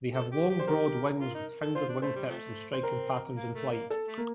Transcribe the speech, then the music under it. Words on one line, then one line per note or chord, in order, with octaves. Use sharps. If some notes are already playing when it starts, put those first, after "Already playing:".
They have long broad wings with "fingered" wingtips, and striking patterns in flight.
A4
G4
G4
C5
G4 A#4
F4
D#4
A4
F4 C5
D4
A3 C5
G3
C3 F3 A3
C5
C4 A#4
A#3
A3
A#3
A4
A3
A#3